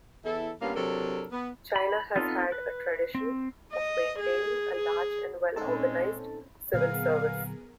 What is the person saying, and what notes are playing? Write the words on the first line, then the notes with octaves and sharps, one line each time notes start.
China has had a tradition of maintaining a large and well-organized civil service.
E2 E4 A4
G2 A#3 B3 C#4 F5
C3 F#3 D4 A4 A#4
B3
B5
B3 C4 D#4 F4 A4
B4
C4
D#5
G#4
G#4
A#2 G#3 C4 C#4 D#4 A4 A5
A#2 D3 F#3 B3 G#4 A#4 F5